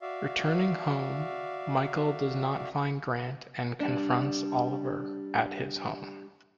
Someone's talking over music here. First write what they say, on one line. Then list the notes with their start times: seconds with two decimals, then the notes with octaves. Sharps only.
Returning home, Michael does not find Grant and confronts Oliver at his home.
0.02 F#4 D5 E5 F5
3.80 G3 D4